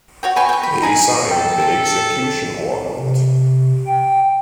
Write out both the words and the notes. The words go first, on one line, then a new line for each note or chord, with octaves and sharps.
He signed the execution warrant.
F#4 C#5 G5
B4 G5 G#5 C#6
G5 C#6
B5
D#4 G#4 G#5
A4 G5
C3
G5